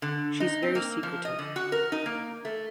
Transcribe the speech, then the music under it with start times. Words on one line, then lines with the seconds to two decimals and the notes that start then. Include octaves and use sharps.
She's very secretive.
0.02 D3
0.40 D#4
0.62 C4
0.75 A#3
1.03 F3
1.25 D#5
1.38 D3
1.56 F#4
1.72 A#4
1.92 D#4
2.06 A#3
2.45 A3